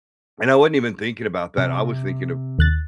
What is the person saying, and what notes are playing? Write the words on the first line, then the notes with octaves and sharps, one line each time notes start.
and I wasn't even thinking about that. I was thinking of
C3
D#2 F#6 A6